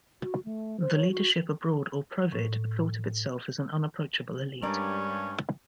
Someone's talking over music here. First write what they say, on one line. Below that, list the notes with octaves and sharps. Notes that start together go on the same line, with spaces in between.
The leadership abroad, or "Provid", thought of itself as an unapproachable elite.
F#4
A3
C5
C#5
F#4
A2
G2 G3 G#3 C#4 A#4 D5